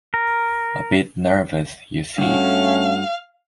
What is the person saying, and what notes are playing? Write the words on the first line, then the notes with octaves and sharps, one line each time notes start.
A bit nervous, you see.
A#4
G2 A3 C#4 F#4 F5